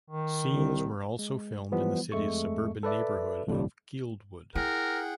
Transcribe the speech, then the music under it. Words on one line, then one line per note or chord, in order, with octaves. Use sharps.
Scenes were also filmed in the city's suburban neighbourhood of Guildwood.
D#3
C2
G#3
E3 F3 G3 B3
F2 G#3 A3 C#6
A4 B4 D5 E5
C2 F2 A2 D3 G3
E4 G#4 A#4 F#5 G5